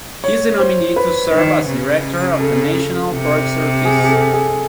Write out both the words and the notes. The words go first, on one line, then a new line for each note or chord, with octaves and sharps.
He is the nominee to serve as director of the National Park Service.
C#5
C5
B4
D#3
C#3
A4
C3
G#4
G#4
A4
G#4